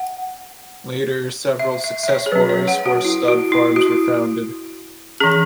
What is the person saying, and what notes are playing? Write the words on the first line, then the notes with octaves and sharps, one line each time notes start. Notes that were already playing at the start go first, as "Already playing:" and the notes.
Later, several successful racehorse stud farms were founded.
Already playing: F#5
E5
E5
E5
C#5
G#4
F#3 C#4 B4
C#5
F#5
F#4
E4
F#4
E4
F#4
E3 C#4 G#4